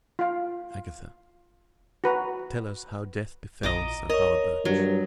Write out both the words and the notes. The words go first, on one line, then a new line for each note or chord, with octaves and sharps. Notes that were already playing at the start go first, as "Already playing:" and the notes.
"Agatha, tell us how death befell Sir Hawerburch."
F4 F5
F#4 B4 A#5
A#1 D#5 A#5 D6
A#4 C#5 D#5
G2 F#3